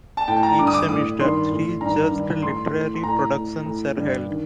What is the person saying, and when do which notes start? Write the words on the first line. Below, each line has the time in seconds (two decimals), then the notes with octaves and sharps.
Each semester, three judged Literary Productions are held.
0.17 A5
0.28 A2 G5
0.36 A5
0.43 A#5
0.58 G2 D3 D6
0.67 D#6
0.74 D6
0.89 A2 D#6
1.20 G2 D#3 C6
1.51 A2
1.81 G2 D#3 A#5
2.11 G2 D#3
2.42 A2 C6
2.73 A2
2.94 C6
3.03 A2 A#5
3.35 A2
3.65 A2
3.95 G2 D3
4.29 D#3